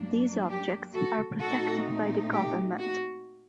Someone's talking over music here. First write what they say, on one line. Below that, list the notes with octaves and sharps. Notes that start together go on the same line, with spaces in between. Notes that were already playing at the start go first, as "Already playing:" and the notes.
These objects are protected by the government.
Already playing: G2 F#3 A#3 D4
G4
F#4 A4
A#2 A3 C4 D#4 F#4 A4
G4
F#4